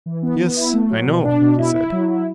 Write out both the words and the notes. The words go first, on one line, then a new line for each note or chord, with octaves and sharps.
Yes, I know, he said.
E3
B3
B3
E4
A3
F#3
B2
D4
B2
E4
E4
F#3
E4